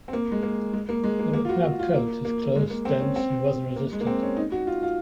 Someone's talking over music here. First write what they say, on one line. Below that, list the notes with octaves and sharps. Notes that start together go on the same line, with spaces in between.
The McNab coat is close, dense and weather resistant.
C4
A#3
G#3
A#3
G#3
A#3
G#3
A#3
A#3
F4
F#4
F#4
F4
A#3
A#3
G#3
A#3
C4
C#4
C4
A#3
G#3
A#3
C4
C#4
D#4
F#4
F4
F4